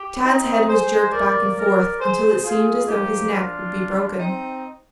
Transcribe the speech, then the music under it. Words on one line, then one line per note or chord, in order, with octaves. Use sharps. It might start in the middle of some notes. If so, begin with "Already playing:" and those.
Tad's head was jerked back and forth until it seemed as though his neck would be broken.
Already playing: G4
C4 D#4
G#4 C5
A#2 F3 A#4 D5
A#4 D5
G#4 C5
F4 G#4
A#2 F3 D#4 G4
D4 F4
C4 D#4